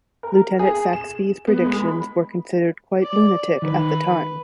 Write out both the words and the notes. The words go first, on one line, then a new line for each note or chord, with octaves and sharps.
Lieutenant Saxby's predictions were considered quite lunatic at the time.
A#4
G#4
E7
B3
G#3
B5
D5
D#3 B4